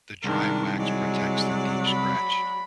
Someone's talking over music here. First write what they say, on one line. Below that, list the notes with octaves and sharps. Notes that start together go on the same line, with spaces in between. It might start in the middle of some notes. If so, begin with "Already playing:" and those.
The dry wax protects the deep scratch.
C2 D#3 G#3 D4 A#4
F#3 G#3 D5
B5